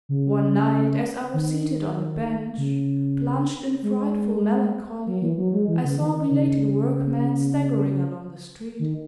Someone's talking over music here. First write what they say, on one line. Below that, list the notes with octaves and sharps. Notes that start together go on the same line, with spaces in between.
One night, as I was seated on the bench, plunged in frightful melancholy, I saw a belated workman staggering along the street.
C#3
D#3
C#3
G#3
F#3
E3
F#3
G#3
E3
C#3
D#3
D#3
C#3
D#3